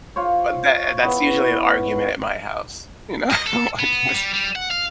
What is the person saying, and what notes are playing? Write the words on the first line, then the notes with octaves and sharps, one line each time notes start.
but tha uh, that's usually an argument at my house, you know, I guess.
F4 C5 C#5
B3 E4 B4 C#5
D#5
A4
B3
G3
G3
F#5
F5